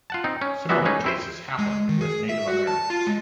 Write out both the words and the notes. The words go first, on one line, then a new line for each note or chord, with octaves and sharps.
Similar cases happened with Native Americans.
F4 F#5 A5
C4 D#4
C#4
E3 G3 G#3 B3 F#4 E5
C#4 D#4 G#4 B4
C4 E4 C5
G#3
D#3
G#4
E5
F#4
A5
F4
G#3